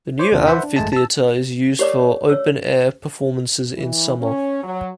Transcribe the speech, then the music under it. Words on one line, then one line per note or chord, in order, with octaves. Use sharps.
The new amphitheatre is used for open air performances in summer.
C5 C#5 D6
D#2 C3 D4 F4
B4 C5 E5 F#5
D4
G#1 F#2 G#3 A3 G#5 A5
A5 E6
G4 A#4 C#5 D5 D6
C#5 E6
E3
C#4
F#3